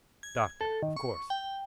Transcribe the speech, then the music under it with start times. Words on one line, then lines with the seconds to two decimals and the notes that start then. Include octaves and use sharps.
"Doctor," of course.
0.23 G#6
0.61 A4
0.83 D#3
0.97 C#6
1.30 G5